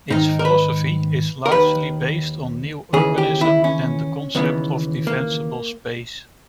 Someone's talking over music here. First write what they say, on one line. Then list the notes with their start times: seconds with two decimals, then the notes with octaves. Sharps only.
Its philosophy is largely based on New Urbanism and the concept of Defensible space.
0.10 G#2 D#3 D#4
0.39 A#4
0.45 B4
1.46 A#4
1.52 D#2 D#3 B4
2.93 D#2 C#3 E3 G#4
3.18 G4
3.41 E4
3.64 C#4
4.35 D#2 C#3 E3 B3
5.07 A#3